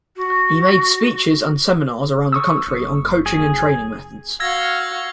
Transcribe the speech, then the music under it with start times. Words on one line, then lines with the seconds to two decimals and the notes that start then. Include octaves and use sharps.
He made speeches and seminars around the country on coaching and training methods.
0.16 F#4
2.32 C#6 D#6 E6
2.67 F#1
3.26 G#4
4.40 F#4 F5 E6 G#6 A#6